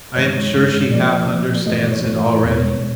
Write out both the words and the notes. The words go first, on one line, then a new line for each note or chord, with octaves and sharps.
I am sure she half understands it already.
G2 D#3 G#3 C#5
G2 D#3 G#3
A#2 F3 A#3 D5
A#2 F3 A#3
G2 E3 A3 D#5
D5
C#5
G2 E3 A3 C#5
E2 B2 G#3 B3
B2